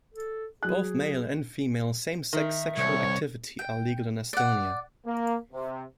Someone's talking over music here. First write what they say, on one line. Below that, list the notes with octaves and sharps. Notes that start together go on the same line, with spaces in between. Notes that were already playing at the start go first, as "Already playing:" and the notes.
Both male and female same-sex sexual activity are legal in Estonia.
A4
F#3 G#4 F#6
D#3 E5
C2 C#5
G5
D5 F#5
A#3
C3